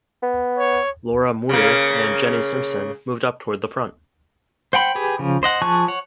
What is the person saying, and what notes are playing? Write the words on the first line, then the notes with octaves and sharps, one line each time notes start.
Laura Muir and Jenny Simpson moved up toward the front.
B3
C#5
C#3 A#3
C5 F#5 G5 B5
G4 G#4 B4
C#3 F3
C5 D#5 F#5
F3 G#4 A5 C#6 F#6
C#5 F#5